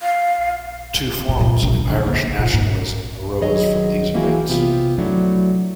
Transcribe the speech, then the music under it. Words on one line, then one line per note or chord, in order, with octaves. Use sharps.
Two forms of Irish nationalism arose from these events.
F5
B2
A#2
A#1
D#2
D3
A#3
A#2
G#2
D#3 F#3 G#4 C#5 D#5
E3 A#3 C4 E4 F#4 G#4
C3 B3 F4 G4
F#3 A3 D4 E4